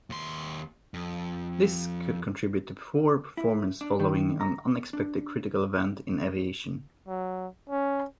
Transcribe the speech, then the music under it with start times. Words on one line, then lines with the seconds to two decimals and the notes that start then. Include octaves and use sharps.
This could contribute to poor performance following an unexpected critical event in aviation.
0.10 D#2 C6
0.94 F2
3.37 E4
3.81 D4
4.00 D#3
4.41 A#5
4.93 D4
7.08 F#3
7.70 C#4